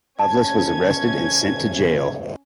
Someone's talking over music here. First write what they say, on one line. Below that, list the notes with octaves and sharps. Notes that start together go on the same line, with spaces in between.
Loveless was arrested and sent to jail.
C#4 A5 G#6